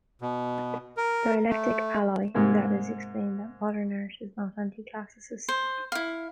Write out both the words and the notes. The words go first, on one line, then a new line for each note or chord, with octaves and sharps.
Dialectic-ally, Edades explained that Modern Art is not anti-Classicist.
B2
A#4
A3
G#2 C3 G#3 A#3
C5
E4 F5